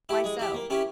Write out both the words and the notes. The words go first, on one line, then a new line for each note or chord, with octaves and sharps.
"Why so?"
E4 G4
G#3
E4 G4
A#3
C#4 E4 G4